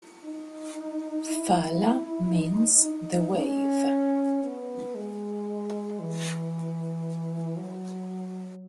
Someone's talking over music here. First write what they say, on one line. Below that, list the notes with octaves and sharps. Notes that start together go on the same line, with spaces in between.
"Fala" means 'the wave'.
D#4
E4
D#4
D#4
C#4
B3
G#3
E3
F#3